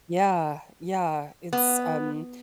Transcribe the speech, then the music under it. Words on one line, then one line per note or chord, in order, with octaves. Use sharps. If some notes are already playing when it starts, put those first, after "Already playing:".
Yeah, yeah, it's um,
B3